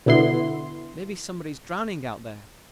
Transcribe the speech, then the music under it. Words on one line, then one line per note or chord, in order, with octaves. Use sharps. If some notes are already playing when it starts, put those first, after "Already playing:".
Maybe somebody is drowning out there.
B2 D3 B3 E4 C6